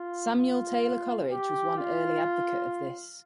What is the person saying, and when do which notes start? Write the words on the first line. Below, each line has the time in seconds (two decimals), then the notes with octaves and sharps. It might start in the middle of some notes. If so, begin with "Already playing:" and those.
Samuel Taylor Coleridge was one early advocate of this.
Already playing: F4
0.38 F4
1.31 G4
1.78 F4